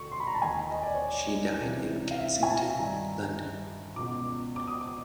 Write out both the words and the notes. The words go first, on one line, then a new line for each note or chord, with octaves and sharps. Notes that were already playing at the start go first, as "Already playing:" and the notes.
She died in Kensington, London.
Already playing: D2 D3 C#6
C6
B5
A#5
A5
D#2 D#3 G#5
D#5
D5
C#5
D5
C#2 C3 E3
F5
E5
G#5
A5
G2 D#3 A#5
C#2 B2 D6
D6
D#6
D6